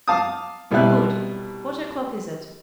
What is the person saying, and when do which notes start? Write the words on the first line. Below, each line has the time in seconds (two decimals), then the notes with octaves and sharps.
"Good; what o'clock is it?"
0.08 F5 A5 D6 D#6
0.71 C2 B2 G3 E4 E5 F#6